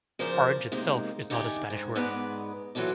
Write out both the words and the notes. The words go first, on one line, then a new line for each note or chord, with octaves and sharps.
"Orange" itself is not a Spanish word.
C#3 F3 A#4 C5 D5
C3 G#3 A#3 D#4
D3 D#4 G4 D5 G#5
G#2
G#2 G#3 B3 B4 D5 D#5
E3 F#3 F4 A4 D5